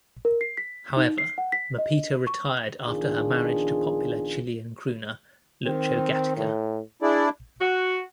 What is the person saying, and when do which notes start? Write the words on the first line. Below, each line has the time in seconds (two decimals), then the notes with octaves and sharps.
However, Mapita retired after her marriage to popular Chilean crooner Lucho Gatica.
0.25 A#4
0.41 C7
0.57 B6
0.97 D#4
1.18 C7
1.38 F#5
1.52 B6
1.78 D#5
2.27 C#6
2.88 A#1 D#3 B3 D4 F4 G#4
5.66 D#3 C4
6.37 A2
7.02 D4 E4 G#4 D5
7.60 F#4